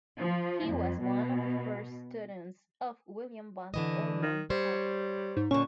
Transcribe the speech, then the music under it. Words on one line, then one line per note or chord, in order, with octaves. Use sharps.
He was one of the first students of Willard Van Orman Quine.
F3
F2
B2
D3 E3 D#5
D#3
G3 C5 C#5
G#2
A#2 D3 C#4 C#6